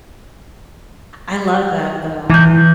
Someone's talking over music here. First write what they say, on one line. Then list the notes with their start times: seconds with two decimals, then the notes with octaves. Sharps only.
I love that though,
2.30 E3 E4 G6